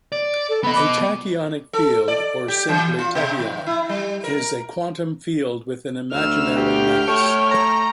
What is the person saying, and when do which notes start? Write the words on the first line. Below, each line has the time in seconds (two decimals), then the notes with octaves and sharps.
A tachyonic field, or simply tachyon, is a quantum field with an imaginary mass.
0.12 D5
0.49 A4
0.63 B3 D#5 B5
0.75 D6
1.73 A4
2.08 D5
2.48 G4
2.69 E3
2.99 F4
3.15 B2
3.39 D#3
3.67 E4
3.89 G3
4.24 A#4
6.12 D2 E6 F6
6.56 G4 G5 F6
7.07 A3 C#5
7.51 A#5